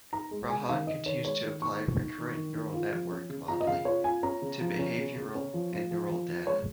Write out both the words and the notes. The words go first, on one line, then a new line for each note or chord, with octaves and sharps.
Rajan continues to apply recurrent neural network modelling to behavioral and neural data.
D#4 A#5
G#3
G#3 G#5
D#3 F5
D#3 D#5
D#3 C#5
G#3 C#5
D#3
D#3 C#6
D#4
D#4
D#3
D#3
D#3
F4
F3
C#4
C#3
F4 A#5
D#5
C#3 F5
F4 C#5
F4 G#5
C#4 A#5
C#3
F3
C#4
C#3
C#3
C#4
F3
F4
F3
F3
F3
G#3 C#5